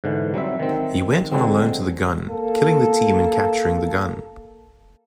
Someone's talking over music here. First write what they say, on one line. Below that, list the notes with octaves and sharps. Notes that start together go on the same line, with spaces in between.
He went on alone to the gun, killing the team and capturing the gun.
G#2 D3 E3
F#3 G3 C4 E5
D#3 C4
D3 F#3 G#3 C4
A#3 A4